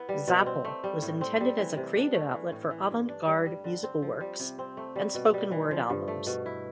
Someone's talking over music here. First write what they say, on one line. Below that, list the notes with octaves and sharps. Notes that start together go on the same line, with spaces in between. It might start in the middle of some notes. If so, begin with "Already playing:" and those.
Zapple was intended as a creative outlet for avant-garde musical works and spoken-word albums.
Already playing: B3 E4
G3
B2
C4
A3
G3
A2
C4
G3
E3
C3
D4
A3
E3
A2
E3
G2
D4
G3
G3
D3
C4
F3
G3
C3
C4
A3
G3
B2
G3
E3
F3
G2
A3
B2
E4